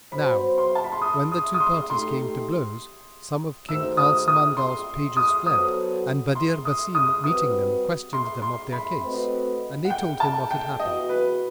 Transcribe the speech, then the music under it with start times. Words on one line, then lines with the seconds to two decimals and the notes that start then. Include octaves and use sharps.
Now when the two parties came to blows, some of King Al-Samandal's pages fled and Badr Basim meeting them, questioned them of their case and they told him what had happened.
0.12 F#3 B3 F#4 C5 B5
0.58 C6
0.75 A5
0.84 B5
0.92 C6
1.02 D#6
1.32 D#6
1.54 D#6
1.60 C6
1.90 A3 D#4 G4 C6
3.69 D#3 A3 D#4 F#4 C5 E6
3.97 D#6
4.28 D#6
4.57 C6
5.17 D#6
5.46 F#3 B3 F#4 A4 C5 D#6
6.35 C6
6.65 D#6
6.95 D#6
7.24 G3 C4 F#4 B4 D#6
8.13 C6
8.42 C6
8.72 B5
9.02 A3 C4 F#4 B4 D#5
9.85 F#5
9.90 G5
10.20 A5
10.51 G5
10.79 E3 B3 F#4 D#5
11.09 B4